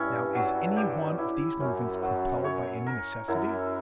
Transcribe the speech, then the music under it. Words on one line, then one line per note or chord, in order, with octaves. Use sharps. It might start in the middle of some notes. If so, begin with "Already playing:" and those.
Now, is any one of these movements compelled by any necessity?'
Already playing: G2 C#4 E4
F#3
G4
E4
F#2 C#4
F#3
C#5
A#4
F#2 E4